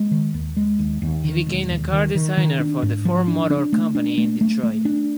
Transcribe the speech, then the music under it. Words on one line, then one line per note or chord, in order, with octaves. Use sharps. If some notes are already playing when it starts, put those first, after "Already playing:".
He became a car designer for the Ford Motor Company in Detroit.
Already playing: G#3
D#3
D#2
G#3
D#2
D#2
D#3
E1
D#2
D#3
D#3
D#3
D4
G#2
F3
D4
D4
A3
D4
A3
A3
A3
D4